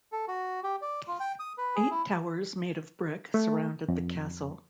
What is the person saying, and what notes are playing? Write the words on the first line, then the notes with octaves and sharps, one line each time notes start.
Eight towers made of brick surrounded the castle.
A4
F#4
G4
D5
F4
G5
D#6
B4
G#4
E4
A3
F2